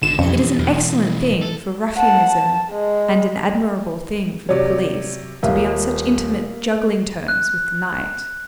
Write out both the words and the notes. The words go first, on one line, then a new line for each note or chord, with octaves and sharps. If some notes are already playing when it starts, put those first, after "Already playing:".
It is an excellent thing for ruffianism and an admirable thing for the police to be on such intimate juggling terms with the night.
G#1 D3 E7
B1 F2 E3 C#4 G4
E2 B2 F#3
A4
F#5 A5
A5
G#3
C3 F#3 C#5 D5
D#1 A#3 E5 F5
F#6